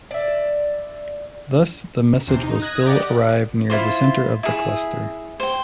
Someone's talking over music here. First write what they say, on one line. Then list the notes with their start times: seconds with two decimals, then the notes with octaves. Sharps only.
Thus, the message will still arrive near the center of the cluster.
0.11 D5 E5
2.27 E2 C3 C5
2.43 D#4
2.61 D#6 F#6 G#6 A#6
2.86 G4 D5 D#5 F#5
3.70 E4 F4 C5
4.43 E4 G#4
5.40 C5 G5